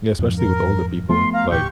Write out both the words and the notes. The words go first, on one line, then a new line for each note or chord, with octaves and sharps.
Yeah, especially with older people. Like,
F2 G#2 F3
A#4
F3 A3 B3 F4 C6
F5 A#5
D2 A2 G4 C#6 G6